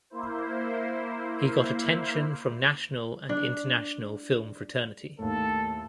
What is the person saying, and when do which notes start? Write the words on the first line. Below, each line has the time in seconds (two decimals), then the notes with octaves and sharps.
He got attention from national and international film fraternity.
0.10 A#3 E4 C5
3.29 D4
5.19 D#2 A2 A4